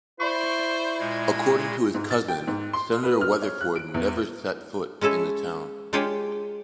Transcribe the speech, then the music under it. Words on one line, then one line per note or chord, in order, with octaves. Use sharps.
According to his cousin, Senator Weatherford never set foot in the town.
E4 C5 D5 B5 C#6
A#2 G#3 G#6
G#2
A6
G5
G#2
C6
B4
F6
C#5
F#6
D7
E2
G#3 C#4 E4 A4
G#3 D4 F4 G4 G#4 C#5